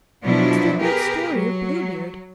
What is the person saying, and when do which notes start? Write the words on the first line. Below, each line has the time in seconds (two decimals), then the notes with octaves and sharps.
It's the old story of Bluebeard.
0.24 B2 F3 F#3 D4 E4
0.81 G4 G#4 A#4 B4
1.32 F#3